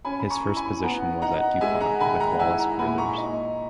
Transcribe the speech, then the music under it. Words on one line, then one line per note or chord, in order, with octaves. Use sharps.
His first position was at DuPont with Wallace Carothers.
C#4 G#5 B5
B5
A#5 C#6
E4
G#5 B5
B3 F#5 A#5
D#4 F#5 A#5
G#3 E5 G#5
F#5 A#5
D#3 G#5 B5
F#5 A#5
E4 E5 G#5
F#5 A#5
A#2 G#5 B5
A#5 C#6
D#4